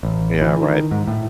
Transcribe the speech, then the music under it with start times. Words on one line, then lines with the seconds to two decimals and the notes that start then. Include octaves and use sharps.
Yeah, right.
0.03 A1
0.42 E3
0.62 D#3
0.91 G#2
1.08 A2